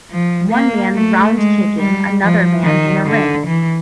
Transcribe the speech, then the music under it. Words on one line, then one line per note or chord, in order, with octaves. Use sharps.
One man round kicking another man in a ring.
F3
A#3
A3
G#3
G3
F3
D#3
D3
E3